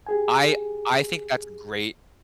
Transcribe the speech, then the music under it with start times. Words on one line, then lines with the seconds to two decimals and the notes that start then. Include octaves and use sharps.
I I think that's great.
0.07 G4 G#4 G#5